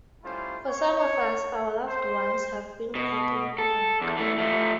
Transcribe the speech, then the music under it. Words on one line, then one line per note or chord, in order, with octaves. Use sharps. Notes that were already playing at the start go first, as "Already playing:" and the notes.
For some of us, our loved ones have been killed in Iraq.
G3 A3 C#4 E4 F4 C5
C#5
C5
B2
A4
E2
E3 A3
F3 A3